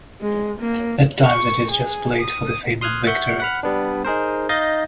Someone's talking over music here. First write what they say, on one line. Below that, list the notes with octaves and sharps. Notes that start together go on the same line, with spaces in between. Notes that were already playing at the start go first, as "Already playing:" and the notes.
At times it is just played for the fame of victory.
G#3
A#3
C#6
G#4
D#6
C6 D#6 F6 F#6 G#6
E5 F#5 C#6 F#6 G6
F#5 B5 F6
G3 B3 D4
D#4 G#4 A#4 C5
D#4 D#5 F5 G6 A6 A#6